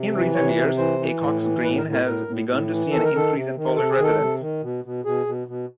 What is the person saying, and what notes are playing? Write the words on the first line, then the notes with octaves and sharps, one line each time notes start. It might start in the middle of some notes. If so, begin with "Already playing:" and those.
In recent years, Acocks Green has begun to see an increase in Polish residents.
Already playing: C3
E3
C3 C#5
C3
E3 C5
E3
A2
E3
A2 B4
A#4
A2
A#4
A2 A#4
A2
A2
E3
D#3 A4
A#4
D#3 A4
C3
D#3
C3 A4
G#4
D#3
A4
C3
D#3
B2
B2
B2 G#4
B2
B2